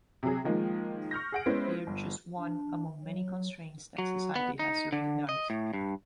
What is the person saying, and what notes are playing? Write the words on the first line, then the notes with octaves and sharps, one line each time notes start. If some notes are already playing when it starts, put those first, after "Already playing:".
They are just one among many constraints that society has to recognise.
C3 F#3 G#4
D#3 F3 G#3 A#3
C#6 F6 G6 A#6
G#4 F#5 D7
G#3 B3 C#4 E4 C5
G1
D4
F#3
F#3
B3
D#4
D3
D#5
A2
G2